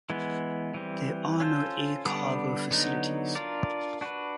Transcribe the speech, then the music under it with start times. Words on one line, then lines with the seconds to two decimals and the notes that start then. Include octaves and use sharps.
There are no air cargo facilities.
0.10 E3 G#3 B3
0.74 E3 G3 C4
1.40 C#4 F4 A4 C5
2.05 D3 G3 B3 D4
2.71 D3 F#3 B3 D#4
3.35 D4 F4 A#4 D5
4.01 D4 F#4 B4